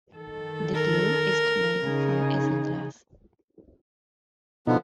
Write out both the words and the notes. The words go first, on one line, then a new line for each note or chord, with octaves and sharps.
The glue is made from isinglass.
D#3 A4
A#4
C#3 D#4 G#4
B2 D3 F3 B3 D#4